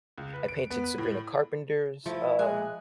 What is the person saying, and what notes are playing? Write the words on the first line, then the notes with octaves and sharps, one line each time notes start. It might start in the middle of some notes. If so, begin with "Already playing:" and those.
I painted Sabrina Carpenter's, um,
C#2
B4
D7
B3
B4
A2
F3 A3 E4
G#3 G#5 F#6